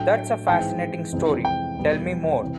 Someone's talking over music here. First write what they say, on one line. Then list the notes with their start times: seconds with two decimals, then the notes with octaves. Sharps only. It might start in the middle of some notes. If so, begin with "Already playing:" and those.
That's a fascinating story, tell me more!.
Already playing: A2 F#3 A3 D4 G5
0.48 G#2 E3 G#3 C4 G5
1.12 F2 C3 E3 G#3
1.45 G5
1.77 E2 B2 G3 B3
2.41 C3 E3